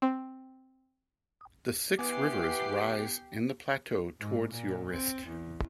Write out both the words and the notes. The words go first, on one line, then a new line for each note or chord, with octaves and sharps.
The six rivers rise in the plateau towards your wrist.
C4
E3 B3 G4 F#5 G#5 D6 C7
G#2
A#2
C4
E2